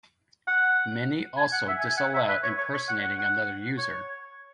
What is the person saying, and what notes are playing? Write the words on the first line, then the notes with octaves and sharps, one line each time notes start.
Many also disallow impersonating another user.
F#5
G#5
F#5
E5
G#5
G#5
F#5
E5
B4
C#5
C#5
C#5
F#5
F#5
F#5
C#5